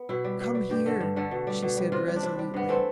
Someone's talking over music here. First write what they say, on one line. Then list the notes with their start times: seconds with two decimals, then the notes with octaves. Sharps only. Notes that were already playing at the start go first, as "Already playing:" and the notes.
"Come here," she said resolutely.
Already playing: B3
0.09 B2 E4
0.24 G3
0.40 B2
0.55 G3
0.70 G2 G4
0.86 D3 A3
1.00 G2
1.16 D3 A3
1.31 B2
1.47 G3
1.62 B2
1.78 G3
1.92 C3 F4
2.08 G3
2.16 D4
2.23 C3 E4
2.39 G3
2.54 G2 B3
2.69 E3 A3 C4